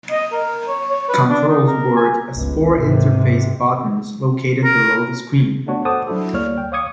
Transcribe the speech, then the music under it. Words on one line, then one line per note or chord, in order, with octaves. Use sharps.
Controls work as four interface buttons located below the screen.
D#5
A#4
C#5
C#5
B4
D4
D#4
A#4
G#5
G1 C#2
G#2 C3
A#4
A3 B3 D4 F#4 C#5
A4 C5 F#5 A5 D6 D#6
F#3 D4 E4 F#4 A4
D2 G3 A#3 C#5 D5 F6
G5
C#5 F5 D6 D#6 G#6 C#7